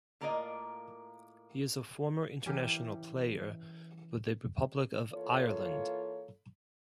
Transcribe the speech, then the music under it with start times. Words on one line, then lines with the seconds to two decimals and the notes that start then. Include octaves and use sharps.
He is a former international player with the Republic of Ireland.
0.21 A2 A#3 F4 A#4 D5 D#5
2.46 E3 C#4 G4 A#4
5.13 E3 A#3 F4 A4 C#5